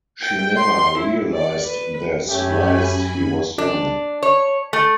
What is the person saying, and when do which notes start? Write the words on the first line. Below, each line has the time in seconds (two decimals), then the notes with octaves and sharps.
She never realised this, whilst he was young.
0.22 G5
0.56 C6
0.98 E4
1.34 D5
1.66 B4
2.29 F#2 A3 C#4 G4 G#5 B5
3.58 D4
4.23 C#5
4.73 A3